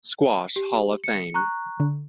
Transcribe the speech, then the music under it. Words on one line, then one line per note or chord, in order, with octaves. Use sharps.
Squash Hall of Fame.
G4
C#7
A#5 C#6 F#6
D3